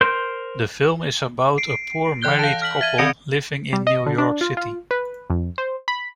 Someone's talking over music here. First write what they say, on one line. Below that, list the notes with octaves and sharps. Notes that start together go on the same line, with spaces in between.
The film is about a poor married couple living in New York City.
A#4 C5 C6 G6
C7 D7
E3 D5 F#6 G6 G7
F5 A5
F6 B6 F#7
E5 G#6 D#7
D#3 C4 D5 A#6 C#7 D7
G3
D#5
D3
D4
F4
F4
B4
F2
C5
B5